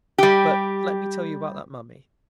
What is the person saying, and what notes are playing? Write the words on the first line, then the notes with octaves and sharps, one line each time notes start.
But let me tell you about that mummy.
G3 G4